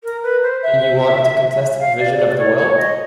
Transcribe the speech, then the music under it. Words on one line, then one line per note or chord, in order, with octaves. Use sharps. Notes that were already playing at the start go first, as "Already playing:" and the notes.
And you want to contest a provision of the will?
A#4
B4
C5
E5
F5
D5
D5
C#5
C#5
D#5